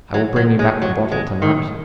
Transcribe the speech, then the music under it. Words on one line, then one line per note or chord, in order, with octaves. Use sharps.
"I will bring you back the bottle to-night."
F#3
F#3
G#3
F#3
G#3
D#3